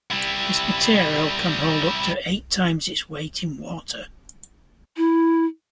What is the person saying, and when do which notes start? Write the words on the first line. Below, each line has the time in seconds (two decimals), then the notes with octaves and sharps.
This material can hold up to eight times its weight in water.
0.11 G3 E4
4.97 E4